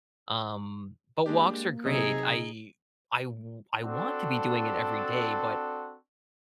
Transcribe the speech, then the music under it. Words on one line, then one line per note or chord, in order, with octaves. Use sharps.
Um, but walks are great. I I w I want to be doing it every day, but
G#3 A#3 D4 G4
C3 F#3 D#4 G#4 D#5 E6
C4 D4 F#4 A4